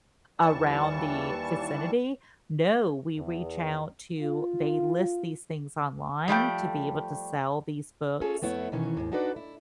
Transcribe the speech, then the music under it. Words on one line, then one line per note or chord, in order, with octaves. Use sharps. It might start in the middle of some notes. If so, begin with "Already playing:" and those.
around the vicinity? No. We reach out to They list these things online to be able to sell these books
D#2 E3 G3 A5 C#6
E2
F4
F3 G3 A3 G5
C#4 F4 G#4 A4
F2 A3 B3 E4 C#5
B2 D#3 E3 C#4
D#2 G#2
D4 D#4 F#4 A4 B4 D5
E4